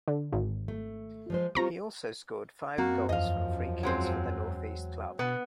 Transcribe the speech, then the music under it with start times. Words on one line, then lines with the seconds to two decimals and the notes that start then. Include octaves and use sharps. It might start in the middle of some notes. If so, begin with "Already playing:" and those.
He also scored five goals from free-kicks for the north-east club.
0.08 D3
0.33 G#1
0.68 A3
1.30 F3 G#3 C5
1.55 G3 C4 F4 A#5 C#6
2.78 F#2 A#3 C4 F#4
3.09 E2 F3 D#5 F5
3.83 F#3 G#3 C4
5.19 B2 B3 F#5